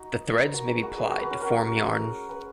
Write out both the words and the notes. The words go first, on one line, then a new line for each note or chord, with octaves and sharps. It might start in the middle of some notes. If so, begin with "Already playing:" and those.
The threads may be plied to form yarn.
Already playing: D#4 F#4
B4
F#4 A#4
G#4 B4
F#4 A#4
G#4 B4
F#4 A#4
G#4 B4
C#4
F#4 A#4
G#4 B4